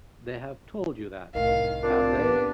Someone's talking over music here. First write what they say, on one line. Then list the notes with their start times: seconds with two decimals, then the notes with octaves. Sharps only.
They have told you that, have they?
1.35 C2 A2 D#3 F5
1.83 A#2 C4 D4
2.16 G2 B3 C4